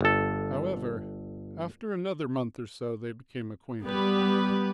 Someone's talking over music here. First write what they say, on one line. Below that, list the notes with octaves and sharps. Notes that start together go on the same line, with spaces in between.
However, after another month or so they became acquainted.
G1 A4
G3 B3 G4 B4